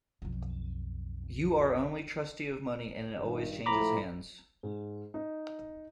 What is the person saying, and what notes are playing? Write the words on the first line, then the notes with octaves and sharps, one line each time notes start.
You are only trustee of money and it always changes hands.
B1 F2
G2 D#3
A2 F3 A3 A#5 B5 D6
G#2
D#4